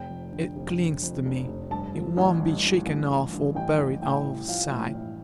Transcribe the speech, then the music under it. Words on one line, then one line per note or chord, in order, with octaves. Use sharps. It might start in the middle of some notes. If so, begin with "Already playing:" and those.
It clings to me; it won't be shaken off or buried out of sight.
Already playing: F1 G5
F2
D3
F1
D3
F2
F1
F1
G2 A5
F3
A1
G2
G2
A1
A1
G2
A1 G5
A1
A2 G5
A2
F3 F5
A2
A2